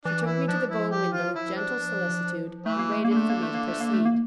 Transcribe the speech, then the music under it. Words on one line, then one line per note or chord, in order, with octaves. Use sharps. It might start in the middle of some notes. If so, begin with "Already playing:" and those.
She took me to the bow-window with gentle solicitude, and waited for me to proceed.
E3 D4
E4
F3 D4
E4
G4
F4
E4
D4
E3 A3
A#3
A3
A#3
D3
A3
A#3
A3
A#3
A3
A#3
A3
A#3